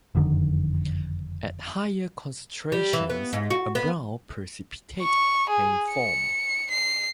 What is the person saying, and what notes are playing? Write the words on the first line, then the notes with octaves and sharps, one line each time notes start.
At higher concentrations, a brown precipitate may form.
F#1 F2 D3 D#3
G3
E3
B3
G#2
F#4
B3
C#6
G#4
C#7
C7